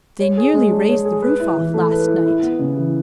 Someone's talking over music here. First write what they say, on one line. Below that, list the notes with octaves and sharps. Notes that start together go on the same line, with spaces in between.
They nearly raised the roof off last night.
C#5
G#4
G#3
D4
C#5
G#4
B4
E4
E3
A3
B4
E4
E4
B3
C#3
E3